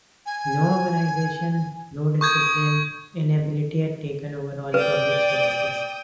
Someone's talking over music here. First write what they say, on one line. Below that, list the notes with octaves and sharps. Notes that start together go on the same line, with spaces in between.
No organization, no discipline: inability had taken over all public services.
G#5
C#6 D#6 G6 G#6
B4 D5 G5 D#6